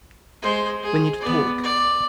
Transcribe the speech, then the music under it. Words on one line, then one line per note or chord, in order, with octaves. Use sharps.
We need to talk.
G#3 C5
G#4
B3 D5
D5